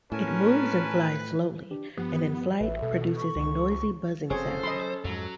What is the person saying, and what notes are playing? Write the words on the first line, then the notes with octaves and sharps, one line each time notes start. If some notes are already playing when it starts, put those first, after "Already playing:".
It moves and flies slowly, and in flight produces a noisy buzzing sound.
A2 C#4 A#4 B4 G#5 A5
D4 G4
G2 F3 B3 G4
A1 B4 E5
B2 A4
C#6
C#2
F1 C4 C#4 G#4 A4 C5 C#5
F#3 D#5 B5 C6
F2 G#2 F#3